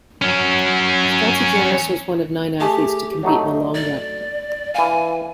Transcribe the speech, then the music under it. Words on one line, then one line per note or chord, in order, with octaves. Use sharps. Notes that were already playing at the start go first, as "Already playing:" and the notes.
Skaltsogiannis was one of nine athletes to compete in the long jump.
F#3 C#4
A3 G4 G#4
F#3 A3 D#4
D5
E3 F5 G#5